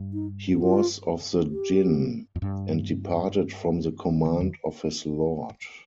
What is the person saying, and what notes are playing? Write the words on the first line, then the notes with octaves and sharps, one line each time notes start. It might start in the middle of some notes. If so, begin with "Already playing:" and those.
He was of the jinn and departed from the command of his Lord.
Already playing: G2
D#4
F4
G4
F2
G2
D#3
F2